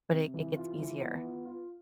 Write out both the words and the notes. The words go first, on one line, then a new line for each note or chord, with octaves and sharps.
but it it gets easier.
C3
E3
F4
E3
B3
F4
F4